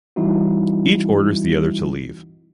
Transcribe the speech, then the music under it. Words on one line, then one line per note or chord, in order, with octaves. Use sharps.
Each orders the other to leave.
E3 G3 C4 D#4 E4 F#4